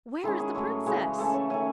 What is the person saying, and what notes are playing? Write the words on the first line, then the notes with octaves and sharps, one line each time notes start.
'Where is the princess?'
D#3 G#3 C#4 E4
G#4
A2 F#3 A3 C#4
C#3 E3 G#3 C#4
E3 A3 C#4 A4
C#5
D#3 A3 C#4 G#5